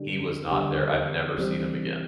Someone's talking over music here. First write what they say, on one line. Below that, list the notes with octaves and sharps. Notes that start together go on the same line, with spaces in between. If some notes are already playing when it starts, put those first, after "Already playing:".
He was not there. I've never seen him again.
Already playing: D3 G3 D4
D3 G3 D4
E3 G3 C4